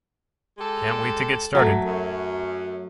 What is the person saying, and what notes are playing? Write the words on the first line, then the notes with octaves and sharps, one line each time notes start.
Can't wait to get started!'.
G#3 G4 A4
F#3 A3
F#2